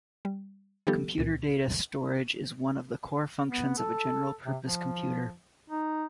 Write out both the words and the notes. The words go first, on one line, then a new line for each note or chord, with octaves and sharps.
Computer data storage is one of the core functions of a general purpose computer.
G3
D#3 F3 G3 B3 G4 A4
C#2 A#2
B3
A4
C3
F3
D#4